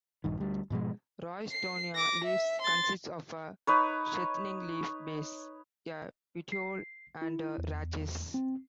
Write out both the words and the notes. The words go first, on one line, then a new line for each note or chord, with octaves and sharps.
"Roystonea" leaves consist of a sheathing leaf base, a petiole, and a rachis.
A#1 G2 D#3
D2 G3
G#2 B2 F3 G#3
C7
D6 A#6
E5
C6 A6
D#4 B4 C#5
C7
E4
E2
C4